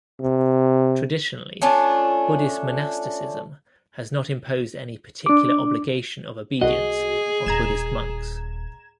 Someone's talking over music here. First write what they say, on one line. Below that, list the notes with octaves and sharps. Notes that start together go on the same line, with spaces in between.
Traditionally, Buddhist monasticism has not imposed any particular obligation of obedience on Buddhist monks.
C3
A3 C#4 D4 F4
D4 D6
C2 F#4 G#4 D#5
D#1 A#5 G#6 E7